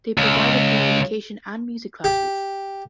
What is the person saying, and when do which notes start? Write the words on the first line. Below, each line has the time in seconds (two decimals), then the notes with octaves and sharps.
They provided for her education and music classes.
0.18 C#2
2.04 G4